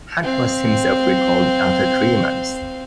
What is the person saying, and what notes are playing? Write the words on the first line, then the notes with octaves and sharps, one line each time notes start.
Hunt was himself recalled after three months.
C4 F5